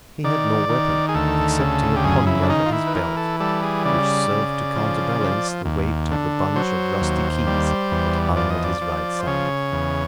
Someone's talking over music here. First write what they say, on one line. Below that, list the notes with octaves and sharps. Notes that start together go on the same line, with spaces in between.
He had no weapon, excepting a poniard at his belt, which served to counterbalance the weight of the bunch of rusty keys that hung at his right side.
D#3 D5
D#3
G#4
D2 A4
C#3
G4
F#2 G#4
E4
D4
D#3 D#4
F4
E4
B4
E3 A#4
A4
G3 A4
G#4
C#3 D5
C#3
F3
F3
D#2
D3
F#3 C5
D#2
G3
E2
F3 D5
D#5
D5
F3
C5
C#3 C#5
E2